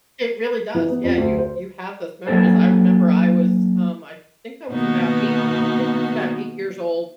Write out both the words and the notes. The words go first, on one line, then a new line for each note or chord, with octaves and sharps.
It really does, yeah, you you have those memories. I remember I was, um, I think I was about eight I think I was about eight years old,
E3
B3
F2
D2
C5
F#3 A#3 D4 A4 C5
B2 D#3 A#3 B3 D#4 F#4